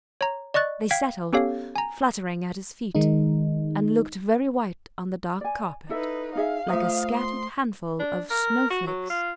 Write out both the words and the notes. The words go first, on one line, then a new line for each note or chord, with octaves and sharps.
They settled, fluttering at his feet, and looked very white on the dark carpet, like a scattered handful of snow-flakes.
C#5 A#5
D5 D#5 C#6 F#6 A6
F5 G5 G#6 B6
B3 C#4 G4 A4 C#5 F5
G#5 A#5
D#3 G#3 D#4
D5 G#5
D#4 E4 A4 B4 E5
D#4 G#4 E5 F5
A3 F4 C5 E5 D#6
C6
D4
A#4
F#4
F#3
F4